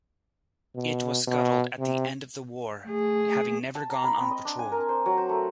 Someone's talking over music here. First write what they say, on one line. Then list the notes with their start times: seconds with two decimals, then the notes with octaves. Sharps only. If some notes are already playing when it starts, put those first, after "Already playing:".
It was scuttled at the end of the war, having never gone on patrol.
0.75 B2
1.27 B2
1.79 C3
2.87 A3 G#4
3.75 A5
3.90 A#5
4.04 B5
4.18 C4
4.31 D#5
4.45 D4
4.59 G#5
4.72 A#4
4.89 C5
5.06 F#3
5.17 C5
5.29 A3